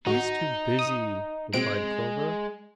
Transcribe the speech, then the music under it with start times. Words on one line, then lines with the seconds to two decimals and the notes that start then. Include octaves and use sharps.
"He's too busy," replied Clover.
0.06 A1 D#4 F#4
0.79 D#6
1.54 B2 G#3 C4 D7